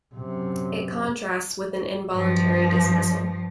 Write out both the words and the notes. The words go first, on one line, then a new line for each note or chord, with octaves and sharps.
It contrasts with an involuntary dismissal.
F#2 C3
G2 F3